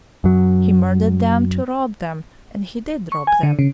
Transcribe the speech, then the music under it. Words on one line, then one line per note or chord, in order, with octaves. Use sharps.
He murdered them to rob them and he did rob them.
F#2 F#3
C#6
G#5
D3
C#3